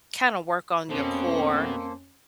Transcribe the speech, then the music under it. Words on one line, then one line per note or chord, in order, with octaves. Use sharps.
kinda work on your core,
F2 B2 A#3 C#4 A4 C5